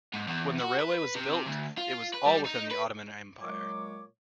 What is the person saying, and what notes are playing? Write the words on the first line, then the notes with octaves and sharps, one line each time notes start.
When the railway was built it was all within the Ottoman Empire.
G#2
E2
F#4
B4
C3
D2
F4
B4
G3
D#4
B4
A#2 F#3 G#3 C#5 D6